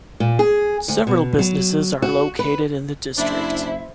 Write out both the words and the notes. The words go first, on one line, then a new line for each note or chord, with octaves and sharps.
Several businesses are located in the district.
A#2
G#4
D2
B2
F#3
F#4
B4
F#1 D4 E4 C5 E5